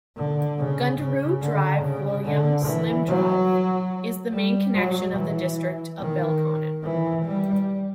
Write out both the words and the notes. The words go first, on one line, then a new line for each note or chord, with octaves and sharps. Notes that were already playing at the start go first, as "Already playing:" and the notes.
Gundaroo Drive-William Slim Drive is the main connection to the district of Belconnen.
D3
C#3
C#3
D3
C#3
D3
E3
F#3
G3
F#3
E3
D#3
E3
G3